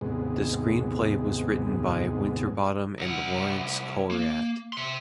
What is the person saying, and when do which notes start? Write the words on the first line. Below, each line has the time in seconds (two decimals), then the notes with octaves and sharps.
The screenplay was written by Winterbottom and Laurence Coriat.
0.01 D#2 G#2 C3 G#3 B3
2.99 C2 F#5
4.11 A#3
4.73 C3 C6